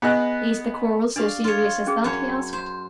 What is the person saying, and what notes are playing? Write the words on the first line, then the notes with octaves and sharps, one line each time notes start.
"Is the quarrel so serious as that?" he asked.
B3 G#4 D#5 F#6
D4 G4 D5 F5
F4 C#5
C#4 G#4
F#2 C#5
C5